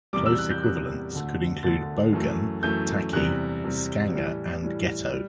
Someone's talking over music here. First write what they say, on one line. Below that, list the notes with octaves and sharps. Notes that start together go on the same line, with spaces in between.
Close equivalents could include bogan, tacky, scanger and ghetto.
E2 C3 G3 D6
E6
F#6
G6
E2 C3 G3 F#6
D2 D3 A3
D2 D3 A3 A6
F#2 E3 A3
F#2 E3 A3 G6
E2 C3 G3 F#6
E2 C3 G3
A2 E3 G3
A2 E3 G3
G3